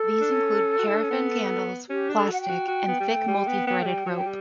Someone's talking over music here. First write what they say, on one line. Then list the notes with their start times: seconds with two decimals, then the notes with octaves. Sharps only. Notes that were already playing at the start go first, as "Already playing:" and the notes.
These include paraffin candles, plastic, and thick multithreaded rope.
Already playing: A4
0.21 D4
0.32 C#4
0.79 F#4
0.87 E4
0.94 D4
1.03 C#4
1.10 B3
1.89 C#4 G4
2.09 D4
2.15 A4
2.29 F#4 F#5
2.41 G5
2.49 F#4
2.68 F#4
2.88 B3
3.00 G3
3.08 A3
3.27 G3
3.47 B3
3.67 B3
3.82 A3
3.86 G3
4.06 F#3
4.17 G5
4.26 G3